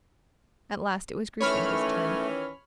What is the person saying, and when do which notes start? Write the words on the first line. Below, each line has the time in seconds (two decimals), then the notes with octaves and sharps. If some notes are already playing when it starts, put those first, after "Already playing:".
At last it was Grushenka's turn.
1.41 D#3 E3 A3 C#4 C#5 B5 F6